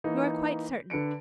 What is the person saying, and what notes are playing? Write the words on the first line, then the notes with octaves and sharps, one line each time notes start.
'You are quite certain?
E3 A#3 D#4
D3 B4 C#7 D7